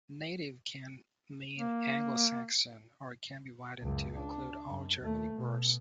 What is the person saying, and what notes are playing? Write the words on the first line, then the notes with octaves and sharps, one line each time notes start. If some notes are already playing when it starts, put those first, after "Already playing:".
"Native" can mean "Anglo-Saxon" or it can be widened to include all Germanic words.
A#3
C#2 F#2
D4
F#2
D#2 A3
B2